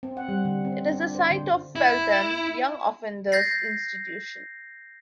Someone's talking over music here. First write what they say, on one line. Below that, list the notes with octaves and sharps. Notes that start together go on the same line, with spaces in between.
It is the site of Feltham Young Offenders' Institution.
C4
F#5
G3
D3
C4
D4
C5
D3
E4
G6 A6 A#6 C7